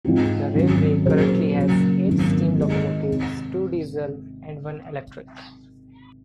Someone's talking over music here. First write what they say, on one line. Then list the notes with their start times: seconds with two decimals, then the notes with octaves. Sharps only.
The railway currently has eight steam locomotives, two diesel and one electric.
0.05 G#2 F3 C4 F4
0.54 G#1 G#2 F#3 C#4
1.06 A#2 F#3 C#4 G#4 C5
1.57 F#2 C#3 F#3 A#3 C#4
2.07 G#1 F#2 D#3 A#3
2.57 G#2 D#3 G#3
3.08 C3